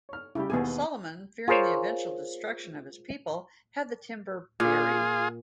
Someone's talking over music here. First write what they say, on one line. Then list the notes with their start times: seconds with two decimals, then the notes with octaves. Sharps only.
Solomon, fearing the eventual destruction of his people, had the timber buried.
0.09 C#5 F6
0.35 C#3 G3 E4 G4
0.50 D#2 B2 B3 G#4 G#5
1.48 F4 G#4 A#4 C5 C#5
4.60 A#2 F4 G#4